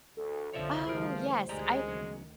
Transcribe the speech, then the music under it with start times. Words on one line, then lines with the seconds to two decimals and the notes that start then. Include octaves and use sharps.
Oh, yes, I
0.17 D2 A4
0.54 C2 F2 D3 F3 C#5 D5 E5
0.87 D2 E3 F3 G3 G#4 A#4 C5
1.49 D2 D#3 G#3 G4 D5 A#5
1.87 E2 C#3 F#3